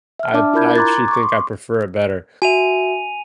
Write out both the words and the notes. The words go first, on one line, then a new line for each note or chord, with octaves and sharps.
I'd I actually think I prefer it better,
E5 F6
D4 D5 E5 A5 D6
E4 F4 A#4 B5 G6 G#6
A#5 C6 D6 F#6 G#6 A6
C#6 D6
C6
F#4 E5 G#5 D#7 F7